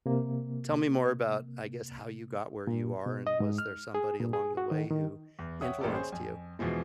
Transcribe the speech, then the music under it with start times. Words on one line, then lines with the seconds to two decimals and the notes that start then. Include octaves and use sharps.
tell me more about, I guess, how you got where you are, and was there somebody along the way who influenced you?
0.06 C3 A#3
2.67 A#2
3.06 B2
3.27 D#5
3.40 G#2
3.58 F6
3.95 G#4
4.20 A#2
4.33 G#4
4.57 F#4
4.71 D#3
4.91 D#3
5.39 E2
5.61 C#5 E5 F#5 G5 D#6
5.80 A1 A#3 G4 A4 D5
5.94 G#4 C5 C#5
6.12 F2 G#5
6.59 E2 B2 E3 F3 G#3